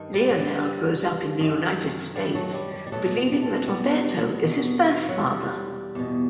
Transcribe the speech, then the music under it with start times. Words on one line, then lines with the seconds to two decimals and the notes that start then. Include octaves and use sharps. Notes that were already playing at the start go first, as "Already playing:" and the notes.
Leonel grows up in the United States believing that Roberto is his birth father.
Already playing: G2 D#3
0.14 G3
0.30 F#3
0.39 G3
1.40 F#2 D#3
2.16 G3
2.35 F#3 A3
2.54 G3
2.73 G3
2.87 G3
2.92 E2 B2 F#3 A3
3.17 B3
3.25 C4
3.32 G3 B3
3.42 A3 C4
3.68 G3 B3
4.43 E2 B2
5.09 F#3
5.19 G3
5.95 E2 B2